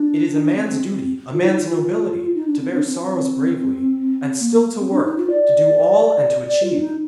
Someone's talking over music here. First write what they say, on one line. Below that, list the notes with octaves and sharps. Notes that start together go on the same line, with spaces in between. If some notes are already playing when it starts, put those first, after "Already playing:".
It is a man's duty, a man's nobility, to bear sorrows bravely, and still to work, to do all and to achieve.
Already playing: D4
D4
C4
C4
F4
D#4
F4
D#4
D4
C4
D4
C4
A#3
C4
D4
D#4
F4
D5
D5
F4
D4
D#4